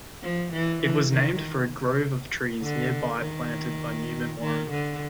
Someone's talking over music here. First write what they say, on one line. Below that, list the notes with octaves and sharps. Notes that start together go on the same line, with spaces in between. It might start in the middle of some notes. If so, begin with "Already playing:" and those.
It was named for a grove of trees nearby planted by Newman Warren.
F3
E3
E3
D#3
D3
D#3
D#3
D3